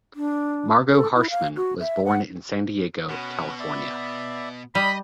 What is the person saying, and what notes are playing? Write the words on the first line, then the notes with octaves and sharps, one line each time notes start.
Margo Harshman was born in San Diego, California.
D4
A4
E4
F5
F#4
E5
F#5
B2 C#4 F#5 B5
D5 E5 B5
G3 D#5 B5